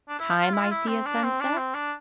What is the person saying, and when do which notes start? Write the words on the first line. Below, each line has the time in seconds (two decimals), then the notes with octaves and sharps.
time I see a sunset.
0.09 D4
0.19 E4
0.36 F4
0.53 E4
0.64 F4
0.71 E4
0.87 C4
1.06 D4
1.23 C4
1.40 D4
1.57 C4
1.74 D4